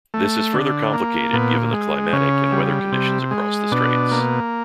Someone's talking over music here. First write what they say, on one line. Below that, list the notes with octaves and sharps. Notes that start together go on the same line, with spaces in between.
This is further complicated given the climatic and weather conditions across the straits.
A3
D3
A#3
A#2 B3
G#3
C#3 C#4
G3
C3
G#3
B2 D4
A#3